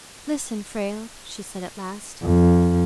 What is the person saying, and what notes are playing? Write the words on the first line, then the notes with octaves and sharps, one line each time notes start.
"Listen, Frale," she said at last.
F2